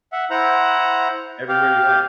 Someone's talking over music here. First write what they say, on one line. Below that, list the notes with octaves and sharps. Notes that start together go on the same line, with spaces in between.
Everywhere you went.
E5 F#5
E4 C5 F#5 A#5
G4 F5